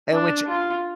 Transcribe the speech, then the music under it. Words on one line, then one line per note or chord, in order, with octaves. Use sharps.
and which
D4
F4